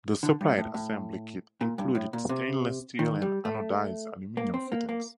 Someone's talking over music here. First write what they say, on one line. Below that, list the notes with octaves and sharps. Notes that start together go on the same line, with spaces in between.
The supplied assembly kit included stainless steel and anodized aluminum fittings.
D3
G2
A2
A2
A#2
G2
A2
A#2
C3
D#3
G3
A3
A#3
C4
A#3
A#3